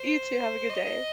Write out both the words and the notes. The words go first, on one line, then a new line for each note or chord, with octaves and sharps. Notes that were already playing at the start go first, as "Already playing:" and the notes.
You too, have a good day.
Already playing: C5
D#5